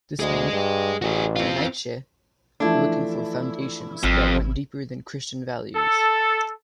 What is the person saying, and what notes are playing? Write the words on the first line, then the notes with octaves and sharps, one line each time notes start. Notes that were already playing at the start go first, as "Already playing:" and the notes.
This meant, to Nietzsche, looking for foundations that went deeper than Christian values.
D2 G#4 D#5
G2
A1 F#4 G#4
C4 F4
E3 F3 A3 D4 E4
G#1 F2
A4